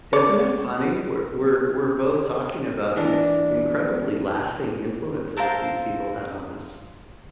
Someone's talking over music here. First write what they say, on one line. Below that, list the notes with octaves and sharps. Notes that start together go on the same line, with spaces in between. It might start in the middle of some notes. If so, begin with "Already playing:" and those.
Isn't it funny? We're we're we're both talking about these incredibly lasting influences these people had on us.
C#5 D5
E3 D4 A#4
A4 A#4 C5 F5